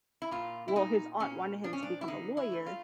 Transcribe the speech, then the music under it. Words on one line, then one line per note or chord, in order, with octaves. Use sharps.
well, his aunt wanted him to become a lawyer,
E4
A#2 F4
E4
A#2 D#4
A#2 C#4
F3 D4
C#4
D4
E4
D3 D#4
E4
A3
F4